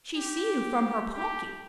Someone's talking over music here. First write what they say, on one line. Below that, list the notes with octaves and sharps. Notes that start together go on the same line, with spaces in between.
She see you from her palkee.
G4
G4